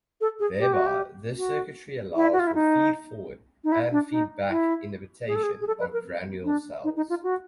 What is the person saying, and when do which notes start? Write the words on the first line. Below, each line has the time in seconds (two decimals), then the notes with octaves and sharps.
Thereby this circuitry allows for feed-forward and feed-back inhibition of granule cells.
0.21 A4
0.40 G#4
0.59 G4
0.73 F#4
0.86 G4
1.37 F#4
2.16 E4
2.33 F#4
2.39 F4
2.47 E4
2.55 D#4
3.64 D#4
3.72 E4
3.92 D4
4.11 D#4
4.50 E4
5.28 G#4
5.36 A4
5.43 G#4
5.61 G#4
5.67 A4
5.80 B4
5.93 A#4
6.45 D4
6.84 D#4
6.96 D#4
7.10 F4
7.23 F#4